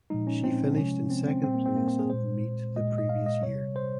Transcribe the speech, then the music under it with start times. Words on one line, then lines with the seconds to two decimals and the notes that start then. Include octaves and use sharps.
She finished in second place at the meet the previous year.
0.10 A#2 F3 G#3 D#4
0.27 C#4
0.44 C4
0.77 C3 F3 G#3 C#4
1.10 C4
1.27 C4
1.44 A#2 G3 C4
1.55 A#3
1.66 C4
1.77 A#3
1.88 C4
1.99 G#4
2.10 A#2 G#3 C5
2.76 A#2 G#3 D#5
2.98 D#5
3.09 F5
3.26 D#5
3.43 C3 G3 C#5
3.76 C5